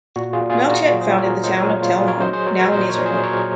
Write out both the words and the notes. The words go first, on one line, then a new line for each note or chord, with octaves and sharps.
Melchett founded the town of Tel Mond, now in Israel.
A#2 F#4
F4 G#4
A#2
F4 G#4
A#2 F#4 A#4
F#3
G#4 C5
F#3 A#4 C#5
F#3 C5 D#5
A#4 C#5
A#2
F4
F#3 F4 G#4
A#4 C#5
F#3 C5 D#5
G#4 C5
F#3 A#4 C#5
A#4 C#5
A#2 C5 D#5
A#4 C#5
A#2
G#4 C5
F#3 A#4 C#5